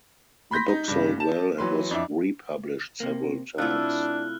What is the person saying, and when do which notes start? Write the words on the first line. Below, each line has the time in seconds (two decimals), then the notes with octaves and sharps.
The book sold well and was republished several times.
0.51 B5 C6 G6 A#6 B6
0.68 D#4
0.88 G2 C#3
1.20 A5 E7
1.58 E3 F#3 B4 C6
1.91 F2 D4 E4
3.00 C3 A#3
3.58 C3 A3 D4 E4 F4 F6 F#6